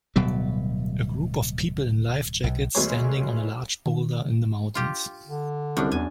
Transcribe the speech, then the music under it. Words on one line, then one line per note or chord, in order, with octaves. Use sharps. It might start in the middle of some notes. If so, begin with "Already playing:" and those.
A group of people in life jackets standing on a large boulder in the mountains.
D1 B2 F#3 G3
B1
D2 F#3 G#3 B3 G#4 C#5
D#3
F4 G4
D3
C2 F#2 D4
E2 G#5